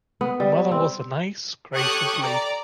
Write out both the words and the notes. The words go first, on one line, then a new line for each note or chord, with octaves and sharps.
The mother was a nice, gracious lady.
B3
G3
C4
G4 A4 C#5 C#6 D#6 F#6
D5 A#5